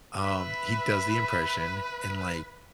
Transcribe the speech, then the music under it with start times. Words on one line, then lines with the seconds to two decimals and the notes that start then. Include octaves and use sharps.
um, he does the impression and, like
0.22 B4 E5 B5